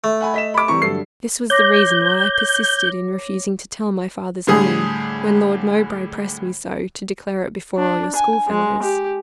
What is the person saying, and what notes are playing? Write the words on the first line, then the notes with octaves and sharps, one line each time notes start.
This was the reason why I persisted in refusing to tell my father's name, when Lord Mowbray pressed me so to declare it before all your school-fellows.
A3
F#5 G#5 B5
D#5 B6 E7
B5 D6
E3 G3 C4 A#5 C#6
G2 D3 F#3 A4 C7
C#5 D6 G6 A#6
A2 D3 G3 G#4 D#6
D4
G#5
G#3
G4